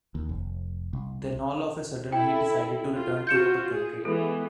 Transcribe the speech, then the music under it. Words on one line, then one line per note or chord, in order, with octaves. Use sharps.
Then all of a sudden he decided to return to our country.
D#2
F1
C2
E4 A4 G5
F4
F4 F#4 G6 C#7 E7
G#4
E3 G#3 B3 A4